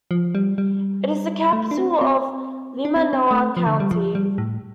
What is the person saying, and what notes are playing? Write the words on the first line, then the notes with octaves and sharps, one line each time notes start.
It is the capital of Limanowa County.
F3
G3
G3
A3
D4
C4
C4
D4
C4
C4
A3
F3
D3
G3
F3
G3
A2